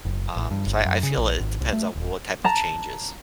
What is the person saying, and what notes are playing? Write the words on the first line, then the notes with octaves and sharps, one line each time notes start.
Um, if I I feel it depends on what type of changes.
F#1
A1
G2
G1
F#2
C#3
A#1
G#1
C2
A3
D#1
A5 A#5